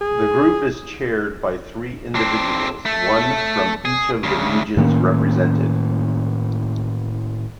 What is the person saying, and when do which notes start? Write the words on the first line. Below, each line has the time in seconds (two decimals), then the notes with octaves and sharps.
The group is chaired by three individuals, one from each of the regions represented.
0.01 G#4
2.15 C4 D4
2.85 A3
3.85 G#4
4.23 D2 C#3
4.77 A2 D#3 A#3 C#4